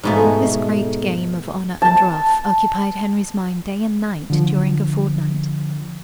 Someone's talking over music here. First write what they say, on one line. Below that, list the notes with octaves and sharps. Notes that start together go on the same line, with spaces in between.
This great game of "honor and ruff" occupied Henry's mind day and night during a fortnight.
G#2 B2 A3
A5
D3 F3